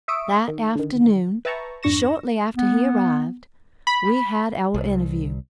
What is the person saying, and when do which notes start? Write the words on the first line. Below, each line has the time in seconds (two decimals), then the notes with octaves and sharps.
That afternoon, shortly after he arrived, we had our interview.
0.08 E5 C#6 D#6 E6 D7
0.48 D#3
0.76 D3 D#3
1.45 B4 E5 G5 A5 A#5 C#6
1.83 F2 G#2 D4 C#6 A#6 E7
2.55 B3
3.87 B5
4.74 C2